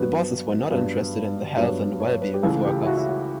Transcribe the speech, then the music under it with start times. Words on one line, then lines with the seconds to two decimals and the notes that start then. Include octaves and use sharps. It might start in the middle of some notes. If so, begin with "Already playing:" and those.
The bosses were not interested in the health and well-being of workers.
Already playing: G2 F#3 B3 B4
0.70 G2 F#3 B3
1.57 G2 F#3 B3 C#5
2.00 C#5
2.21 B4
2.34 G4
2.43 C#2 C#3 E3 A3 A4
2.65 G4
2.82 E4
2.86 F#4
2.97 E4
3.08 F#4